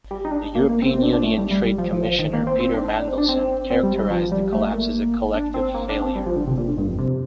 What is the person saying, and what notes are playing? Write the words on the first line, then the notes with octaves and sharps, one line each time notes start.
The European Union Trade Commissioner Peter Mandelson characterized the collapse as a "collective failure".
G3
D#4
D4
A#3
A#3
C4
C4
D4
D4
A3
G3
G3
G3
F3
F3
F3
D#3
A#3
C4
C4
D4
D#4
D4
C4
D4
C4
C4
G3
G3
F3
G3
A3
A3
A#3
D4
C4
A#3
D4
C4
G3
F3
D3
C3
A#2
D3
G2
F2
C3